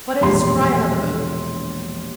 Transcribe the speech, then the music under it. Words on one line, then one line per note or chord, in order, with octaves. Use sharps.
But I descry another opening.
E1 A#1 G4 C6